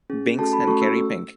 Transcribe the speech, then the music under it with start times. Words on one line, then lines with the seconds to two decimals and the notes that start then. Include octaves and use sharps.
Binks and Kerry Pink.
0.10 C#4 G#4
0.38 A3 C#4 F#4 A4 A5
0.53 B5
0.67 A3 C#4 F#4 A4 C#6
0.82 E6